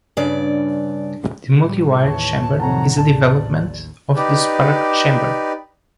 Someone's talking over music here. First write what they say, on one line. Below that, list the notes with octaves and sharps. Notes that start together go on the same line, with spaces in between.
The multi-wire chamber is a development of the spark chamber.
G2 C#3 D5
A2 G3
D#2 E3 C#5 A5
F2 C3 D#3 F#3 C#5 F#5 A5 A#5
A1 D#2 D5 A5
D#4 G4 B4 D5